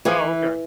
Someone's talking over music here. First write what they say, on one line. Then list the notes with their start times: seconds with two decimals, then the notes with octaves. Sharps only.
Oh, okay.
0.05 E3 G#4